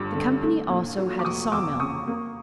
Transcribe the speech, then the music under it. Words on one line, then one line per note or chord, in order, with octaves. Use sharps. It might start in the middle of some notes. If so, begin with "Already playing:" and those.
The company also had a saw-mill.
Already playing: G1 G2 F3 D6
D3
A3
A#2
F#3
D6
F1 C#6 D#6
E2 D6 E6
C#3 C#6 D#6
A#3